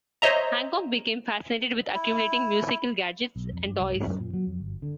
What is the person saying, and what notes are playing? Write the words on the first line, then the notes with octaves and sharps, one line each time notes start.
Hancock became fascinated with accumulating musical gadgets and toys.
C5 C#5 D#5 E5 A#5
E4
B1
F2
G2
C2
G#2
F#2
A#2
F#3
F2
G1
D3